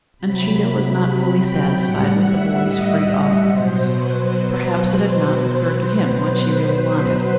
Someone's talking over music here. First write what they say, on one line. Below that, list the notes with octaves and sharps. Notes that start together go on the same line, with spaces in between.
Uncheedah was not fully satisfied with the boy's free offerings. Perhaps it had not occurred to him what she really wanted.
C3 F#3 B5
G5
A2 G3 F#5
E5
D#5
B2 F#3 C5
B4
B4